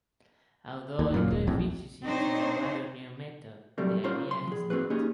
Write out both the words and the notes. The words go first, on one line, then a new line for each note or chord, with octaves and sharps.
Although eco-efficiency is a rather new method, the idea is not.
D#2
F#2 A#2
D#1
A#1 F2 A2
C4 D4 D#4 C5 C#5
C3 F#3 G3 A3 C4 A#4
C#4 F4 A#4 C5 C#5
B1 C6
F3 G#4
C4 F#4 G#4 B4
A#3 C#4 D#4 G4 G#4